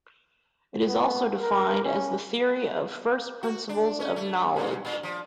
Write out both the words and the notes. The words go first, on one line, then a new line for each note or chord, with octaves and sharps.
It is also defined as the theory of first principles of knowledge.
B3
A#4
C#4
F#4
D4
C#4
A3
G2
A#2
F3